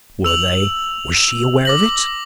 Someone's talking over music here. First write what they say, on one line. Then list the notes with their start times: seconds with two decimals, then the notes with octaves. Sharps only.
"Were they--was she--aware of it?"
0.24 E6 F7 F#7
1.65 D6 A#6 F#7